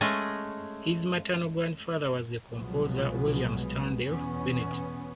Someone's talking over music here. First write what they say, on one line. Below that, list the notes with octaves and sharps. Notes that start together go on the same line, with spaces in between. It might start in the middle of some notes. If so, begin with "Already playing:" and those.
His maternal grandfather was the composer William Sterndale Bennett.
G#3 A3 C#4 D#5
C2 B2 F3 F#3 G#3 B3
E2 B2 B3 C#4